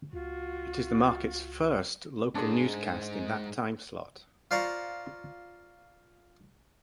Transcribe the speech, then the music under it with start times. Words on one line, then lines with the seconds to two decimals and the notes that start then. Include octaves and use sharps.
It is the market's first local newscast in that timeslot.
0.13 C#2 F4 F#4
2.35 G#2 D4 G#4
4.51 F4 C5 D5 A#5 C#6